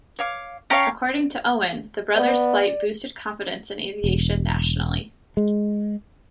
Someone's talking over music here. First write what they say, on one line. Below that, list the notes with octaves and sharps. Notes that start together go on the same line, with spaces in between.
According to Owen, the brothers' flight boosted confidence in aviation nationally.
C#5 F5 D6
C#4 C#5 F5 G5 A5 A#5
B3 D5
E1
G#3